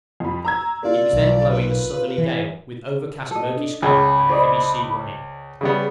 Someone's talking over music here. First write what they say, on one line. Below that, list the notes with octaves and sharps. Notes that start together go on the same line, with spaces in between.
It was then blowing a southerly gale, with overcast murky sky, and a heavy sea running.
F2 B5
A#5 E6 G#6
A#3 F4 D5
B1
B4
E3
F#4 A4 D#5
D4
C#2 C#4 G#4 B5
C5 D5 D#5
C#3 G3 B3 G#4